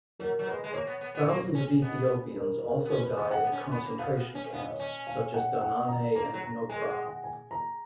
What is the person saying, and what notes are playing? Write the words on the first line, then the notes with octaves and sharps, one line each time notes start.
Thousands of Ethiopians also died in concentration camps such as Danane and Nocra.
F#3 A#4
F#3
G#3 B4
G#3
A#3 C#5
B3
B3
B3
A#3
C#4
B3 D#5
A#4
A#4
B3
C#4 B4
B4
B3 D#5
F#5
B3
C#4
B3
B3 B5
A#3
B3 F5
B3
C#4
B3 F5
D#5
C#5
C#4 D#5
F5
F#5
F#5
A#5
A#3 A#5
F#3
A#5
G#3 G#5
F#5
F#5
G#5
A#5